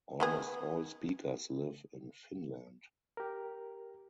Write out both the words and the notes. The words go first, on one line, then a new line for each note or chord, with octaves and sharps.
Almost all speakers live in Finland.
D#3 B3 G#4
G4 A#4